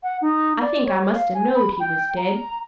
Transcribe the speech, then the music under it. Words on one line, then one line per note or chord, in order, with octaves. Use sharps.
I think I must 'a' knowed he was dead.
F#5
D#4
D5
C#5
F5
G#5
B5
G5
A#5